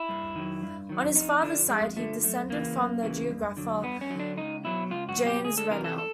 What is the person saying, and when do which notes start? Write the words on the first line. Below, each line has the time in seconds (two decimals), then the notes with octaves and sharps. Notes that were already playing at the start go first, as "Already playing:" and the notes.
On his father's side he descended from the geographer James Rennell.
Already playing: E4
0.09 G2
0.35 D#3 F#3
0.63 G2
0.89 D#3 F#3
1.16 F2 D#4
1.43 D3 F3 D4
1.69 F2 G#3
1.96 D3 F3 A3
2.23 F#2 A3
2.50 C#3 E3 A#3
2.76 F#2
3.03 C#3 E3
3.30 G2
3.57 D3 F#3
3.84 G2 B3
4.01 C#4
4.10 D3 F#3
4.20 D4
4.37 C#2 D#4
4.64 B2 F#3 E4
4.90 C#2 F4
5.09 F#4
5.17 B2 F#3
5.26 G4
5.44 D2 G#4
5.58 A4
5.71 C3 E3 A#4
5.84 A4
5.98 A4